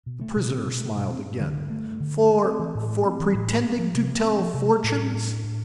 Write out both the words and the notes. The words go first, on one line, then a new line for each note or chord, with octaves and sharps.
The prisoner smiled again. "For--for pretending to tell fortunes?"
B2
A3
B2
C4
B2
A3
B2
C4
G2
D3
G2
A3
G2
D3
G2
A3
C4
E3
A2
A3
C4
E3
A2
A3
C4
F3
C3
A3
C4
F3
C3
A3
A2
G3
A2
D4
A2